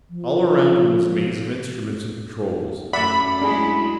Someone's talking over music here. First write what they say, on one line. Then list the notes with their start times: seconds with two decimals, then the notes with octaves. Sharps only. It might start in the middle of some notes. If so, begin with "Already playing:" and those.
All around him was a maze of instruments and controls.
0.10 F3
2.93 F#2 A3 C#4 D5 E5 F#5 B5
3.42 F#3 G#3 D4 E4 G#4